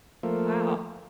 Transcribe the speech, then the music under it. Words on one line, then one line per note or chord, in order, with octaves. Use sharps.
Oh, wow.
F3 A3 A#3